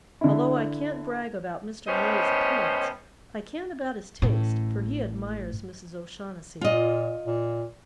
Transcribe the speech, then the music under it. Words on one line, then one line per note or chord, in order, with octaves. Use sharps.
Although I can't brag about Mr. Murry's appearance, I can about his taste, for he admires Mrs. O'Shaughnessy.
D3 E4
A2 G3 B3 C#4 C5 D#5
A1 A2
A#2 F4 D#5
A#2